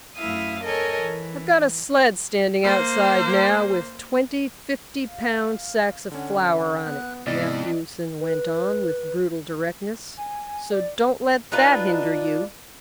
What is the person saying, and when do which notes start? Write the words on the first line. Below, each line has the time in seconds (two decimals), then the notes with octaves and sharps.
"I've got a sled standing outside now, with twenty fiftypound sacks of flour on it," Matthewson went on with brutal directness; "so don't let that hinder you."
0.17 F#2 A3 E4 E5 F5 D#6
0.63 A4 A#4 C#5 D#5 G#5
0.98 E3
2.63 A#3 C5
5.05 F5
6.12 D3 C#4 F#5
6.86 B3 F#6
7.27 F2 G#2 C3 B3 E4 D5 D#5 A6
8.21 B4
10.17 G#5
10.71 D5
11.52 D4 D#4 F4 B4